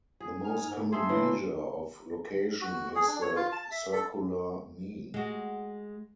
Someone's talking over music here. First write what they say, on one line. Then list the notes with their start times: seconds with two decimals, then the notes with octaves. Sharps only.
The most common measure of location is the circular mean.
0.20 G#4
0.44 D#4 G#5 F6
0.68 G#2
0.92 A#3 G#4 A4 E5 C6
1.09 A2 D3 E3
2.61 F#4
2.95 G#4
3.07 D4
3.22 C#5
3.36 F4
3.52 A5
3.71 E5
3.93 A4
5.14 G#3 F#4